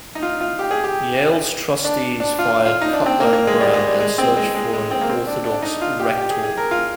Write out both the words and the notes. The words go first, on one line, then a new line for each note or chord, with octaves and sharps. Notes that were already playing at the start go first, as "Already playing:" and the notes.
Yale's trustees fired Cutler and Brown, and searched for an orthodox Rector.
D#4
F4
F4
G4
G#4
G4
D4
D4
F4
F4
D#4
D4
C4
A#3
A#3
G#3
G3
G#3
G3
G#3
C4
G#3
G#3
G#3
C4
A#3
C4
D4
D4
D#4
F4
G4
G4
G#4
G#4
A#4
F4